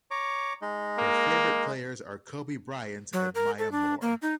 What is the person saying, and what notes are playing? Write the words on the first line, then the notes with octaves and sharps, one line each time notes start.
Her favorite players are Kobe Bryant and Maya Moore.
C#5 A#5 D6
G#3 D#4
A#3
F#3
A#4
A4
D4
A#3
D#4